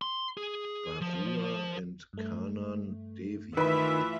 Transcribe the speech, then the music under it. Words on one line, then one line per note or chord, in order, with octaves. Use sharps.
Barua and Kanan Devi.
C6
G#4
F3
G2 A3
D#3 E3 F4 B4 E5 B5